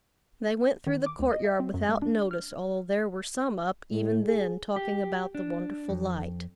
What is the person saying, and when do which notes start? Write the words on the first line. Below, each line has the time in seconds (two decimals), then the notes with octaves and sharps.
They went through the court-yard without notice, although there were some up even then talking about the wonderful light.
0.87 D#3
1.06 D6
1.19 D2
1.33 D#5
1.44 E5
1.60 C4
1.74 F#2
1.89 G#3
2.02 D4
2.31 F6
3.91 A2
4.25 G#4
4.76 G4
5.35 D4
5.89 F2